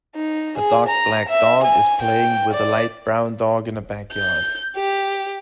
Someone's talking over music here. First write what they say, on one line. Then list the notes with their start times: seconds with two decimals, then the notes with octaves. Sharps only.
A dark black dog is playing with a light brown dog in a backyard.
0.16 D#4
0.58 G#4
0.89 A#5
1.29 E5
1.64 G#5
2.03 G5
2.54 D5
4.13 G6
4.76 G4